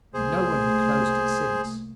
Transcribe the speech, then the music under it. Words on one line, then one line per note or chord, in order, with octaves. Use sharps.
No one had closed it since.
C2 A3 A#3 G#4 C5